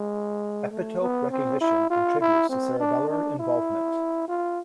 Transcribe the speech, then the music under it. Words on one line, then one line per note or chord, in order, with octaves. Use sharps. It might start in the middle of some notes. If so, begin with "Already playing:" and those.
Epitope recognition contributes to cerebellar involvement.
Already playing: G#3
A3
B3
C4
E4
F4
E4
C4
D4
D4
E4
F4